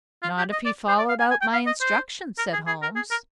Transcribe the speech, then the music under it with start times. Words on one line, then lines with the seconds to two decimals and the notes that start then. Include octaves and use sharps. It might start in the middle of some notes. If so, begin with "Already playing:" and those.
"Not if he followed out my instructions," said Holmes.
0.23 F4
0.38 G4
0.52 D#5
0.65 D5
0.88 C5
0.98 D5
1.09 F5
1.20 G#5
1.31 G#5
1.41 G5
1.53 F5
1.67 D#5
1.81 C5
2.38 A#4
2.53 G#4
2.67 G#4
2.82 A#4
2.96 G#4
3.11 A#4